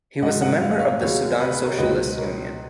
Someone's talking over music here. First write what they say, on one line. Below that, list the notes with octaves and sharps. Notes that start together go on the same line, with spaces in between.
He was a member of the Sudan Socialist Union.
G#2 D#3 F#3 D#5 F#5
D#5 F#5
F5
D#5
C#5 F5
D#2 C#3 F#3 C#5 F5
B4 D#5
B4
A#4 C#5
C#2 B2 F#3 B4 D#5
A#4 C#5